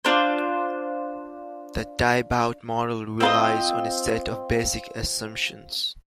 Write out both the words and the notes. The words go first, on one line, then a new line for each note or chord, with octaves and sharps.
The Tiebout model relies on a set of basic assumptions.
D4 F4 C5
C4 F4 B4 D#5